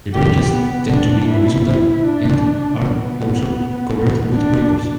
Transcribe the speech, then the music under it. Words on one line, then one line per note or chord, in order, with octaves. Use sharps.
The branches tend to be horizontal and are also covered with prickles.
G4
B3
D4
E4
E4
D4
B3
B3
D4